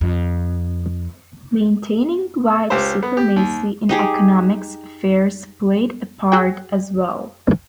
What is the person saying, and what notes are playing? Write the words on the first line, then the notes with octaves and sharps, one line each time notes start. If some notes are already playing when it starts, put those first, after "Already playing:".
Maintaining white supremacy in economic affairs played a part as well.
F2
C#2 G4 C5
B3
G4
D#2
D#4 G4 G#4
F#4 G#4 G5